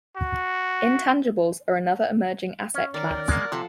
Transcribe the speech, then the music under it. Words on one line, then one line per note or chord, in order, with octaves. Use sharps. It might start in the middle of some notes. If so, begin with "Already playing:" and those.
Intangibles are another emerging asset class.
F#4
C#4
D#3 A#4 D5
G#3 A#3 F#5 D6
C3 F3 A4 F#5